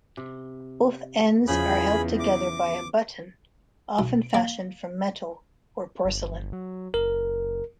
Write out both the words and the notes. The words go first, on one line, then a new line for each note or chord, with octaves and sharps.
Both ends are held together by a button, often fashioned from metal or porcelain.
C3
E2 C#3 F3 G#4 B5
D6
B1
A#3
G1
F#3
F#1 A#4